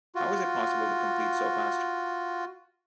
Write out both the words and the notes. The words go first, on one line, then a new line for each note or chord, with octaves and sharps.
How is it possible to complete so fast?
F4 F#4